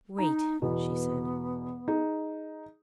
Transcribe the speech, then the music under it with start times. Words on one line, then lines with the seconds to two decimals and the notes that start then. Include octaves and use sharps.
"Wait," she said.
0.19 D#4 A#5
0.62 E2 B2 B3
1.88 D#4 G#4